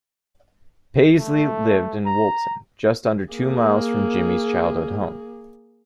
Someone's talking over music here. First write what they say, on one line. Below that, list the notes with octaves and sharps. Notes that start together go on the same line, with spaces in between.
Paisley lived in Woolton, just under two miles from Jimmy's childhood home.
A3
A#5
A#3 G#4